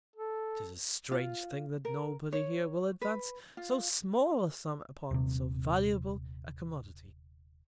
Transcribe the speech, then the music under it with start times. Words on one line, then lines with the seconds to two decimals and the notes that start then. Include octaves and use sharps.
'Tis a strange Thing that Nobody here will advance so small a Sum upon so valuable a Commodity.
0.16 A4
1.11 F4
1.85 A#4
2.33 C#5
3.01 B4
3.57 F4
5.11 D#1 C3